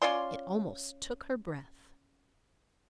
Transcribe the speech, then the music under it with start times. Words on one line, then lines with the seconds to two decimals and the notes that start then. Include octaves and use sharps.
It almost took her breath.
0.02 C#4 F4 D5 C6